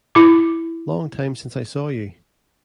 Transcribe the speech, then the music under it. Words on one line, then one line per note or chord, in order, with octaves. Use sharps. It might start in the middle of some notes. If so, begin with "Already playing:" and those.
Long time since I saw you.
E4 D6